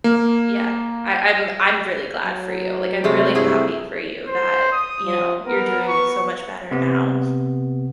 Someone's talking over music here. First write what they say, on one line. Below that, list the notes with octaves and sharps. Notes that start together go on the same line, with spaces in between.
Yeah, I I'm I'm really glad for you. Like, I'm really happy for you that, you know, you're doing so much better now,
A#3
F#3
C3 G#3 A3
G2 A3 E4 G#4
C5
D#6
F3
B3 A#4
C#6
C3 B3